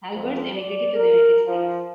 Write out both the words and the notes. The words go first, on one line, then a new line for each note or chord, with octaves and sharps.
Albers emigrated to the United States.
F2
D5
A#4
F3